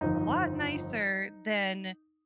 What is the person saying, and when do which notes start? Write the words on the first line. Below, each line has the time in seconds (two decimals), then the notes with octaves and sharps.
a lot nicer than
0.01 G1 F2 D#3 D#4